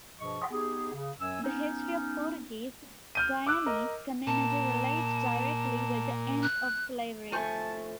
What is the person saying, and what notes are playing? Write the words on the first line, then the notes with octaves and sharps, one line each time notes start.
The history of Portuguese Guyanese community relates directly with the end of slavery.
G2 B2 F3 G#4 D#5 C#6
B3 D#4 G4 G#4
C#3
F#2 F#3 G#5 E6
B3 C#4 D#4
F6 G6 D#7
D6 E6 F#6
A#4 D#5
A#2 A5
F#6
F3 A3 G#5 A5 C#6 G6